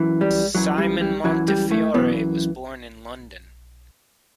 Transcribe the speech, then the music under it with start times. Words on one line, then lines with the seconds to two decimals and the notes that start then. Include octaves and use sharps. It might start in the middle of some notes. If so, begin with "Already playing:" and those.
Simon Montefiore was born in London.
Already playing: F#2 E3
0.21 G3
0.55 F#2 E3 F#3
0.78 G3
1.01 G3
1.24 F#2 E3 F#3
1.48 G3
1.71 A2 A3
1.94 F#2 B2 E3 B3